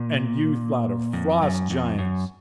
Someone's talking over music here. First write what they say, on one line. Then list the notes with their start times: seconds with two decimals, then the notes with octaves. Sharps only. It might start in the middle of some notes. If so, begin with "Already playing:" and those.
"And you thought of frost giants!"
Already playing: A#2
1.13 F2
1.42 F#2
1.70 F2
1.99 F#2